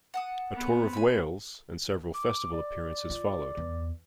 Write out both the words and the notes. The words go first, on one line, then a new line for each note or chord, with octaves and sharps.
A tour of Wales and several festival appearances followed.
F#5 A5 D#6
B3 C4
G#5 B5
D6
D5
F4
E2